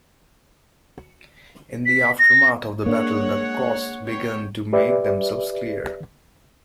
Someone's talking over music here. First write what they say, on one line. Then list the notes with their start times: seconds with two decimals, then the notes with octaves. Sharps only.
In the aftermath of the battle, the costs began to make themselves clear.
1.86 B6
2.19 A#6
2.86 G#3 A#3 D4 C#5 F#5
4.04 B3 C#5 G5
4.73 G4 B4 D5 E5